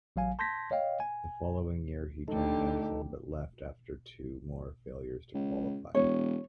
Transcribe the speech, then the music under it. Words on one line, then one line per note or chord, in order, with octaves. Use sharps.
The following year he joined Ensign but left after two more failures to qualify.
A1 F#3 F5 G#5
A5 C6 G6 G#6 A#6 B6
C#5 D#5 F5 G5
G#5
D2 D3 D#4 G4 A4
C#2
E1 C#5